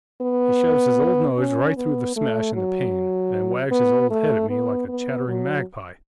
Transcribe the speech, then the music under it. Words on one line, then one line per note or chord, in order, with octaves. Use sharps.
He shoves his old nose right through the smash in the pane, and wags his old head at me like a chattering magpie.
B3
C#4
B3
A3
F#3
B3
A3
B3
B3
F#3